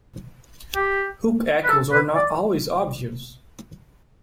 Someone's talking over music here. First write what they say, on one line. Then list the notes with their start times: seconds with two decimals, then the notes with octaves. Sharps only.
Hook echoes are not always obvious.
0.75 G4
1.64 B4
1.68 A4
1.92 B4
2.15 D5